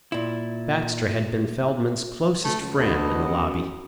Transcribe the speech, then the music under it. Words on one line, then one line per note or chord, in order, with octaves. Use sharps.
Baxter had been Feldman's closest friend in the Lobby.
A#2 E4
A3
C#2
D2 B3 A4 D#5
F#2